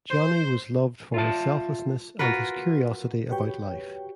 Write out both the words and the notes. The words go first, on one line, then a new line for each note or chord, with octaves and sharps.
Johnny was loved for his selflessness and his curiosity about life.
C5
F4 E5 A5
F4 F#4 A#4 B4
F#4 G4 B4 C#5 G5